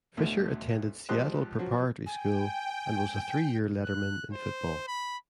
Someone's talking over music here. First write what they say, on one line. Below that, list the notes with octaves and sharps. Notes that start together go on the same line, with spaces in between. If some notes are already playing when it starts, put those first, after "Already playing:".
Fisher attended Seattle Preparatory School and was a three-year letterman in football.
A1 D2 B2
C#2 F3 G4 C5 D#5 F#6
F3 F#3
G5 G#5
F#6
C5
B5